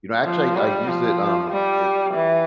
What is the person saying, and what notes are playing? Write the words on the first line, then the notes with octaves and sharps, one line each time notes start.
you know, actually, I I used it, um, it
F3
G3
F3
G3
E3